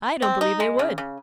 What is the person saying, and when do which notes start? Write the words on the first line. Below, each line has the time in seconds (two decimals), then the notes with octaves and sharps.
'I don't believe they would.
0.22 C4
0.41 D#4
0.60 G#3
0.79 C#3
0.98 C#3